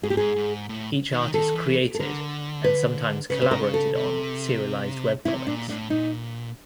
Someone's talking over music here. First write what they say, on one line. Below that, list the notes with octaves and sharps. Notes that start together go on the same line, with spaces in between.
Each artist created, and sometimes collaborated on, serialized webcomics.
G#2 G#4
A2 G4
G#2 G#4
G#2
A2
D#3
D#3 A4
E3
A4
D3 A#4
B4
C#3 B4
B4
A#4
A4
C3
C3 E4
A#2 D4
A2 D4
A#2 D#4